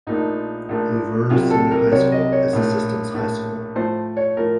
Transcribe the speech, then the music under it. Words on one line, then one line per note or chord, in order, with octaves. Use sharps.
Luverne Senior High School is the system's high school.
A#1 A#2 A3 D#4
A#1 A#2 A3
C2 C3 F#3 F4
A4
A#4
C2 C3 F#3 C#5
D#5
C#5
A#1 A2 A3
A#1 A2 A3
A2 F3 A3 C5
C#5
A2 F3 A3 A#4